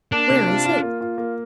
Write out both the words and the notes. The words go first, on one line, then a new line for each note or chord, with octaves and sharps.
'Where is it?
A#3 D4
C3
F4
F4
A#3
F4
A#3